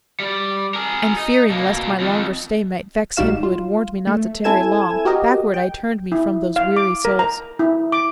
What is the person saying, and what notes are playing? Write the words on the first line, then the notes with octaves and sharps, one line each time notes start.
And fearing lest my longer stay might vex Him who had warned me not to tarry long, Backward I turned me from those weary souls.
G3 D5
G#4 A#4
D#4
B2 A#3
F2 D#3
A#1 G3 D#4 F#4 F5 E7
F4
A3
C4 E4 A4 G#5 G#6 E7
F#4 G4 A#4 D#5
G5
E4
F5
D6
A#4
A#5
E4
D6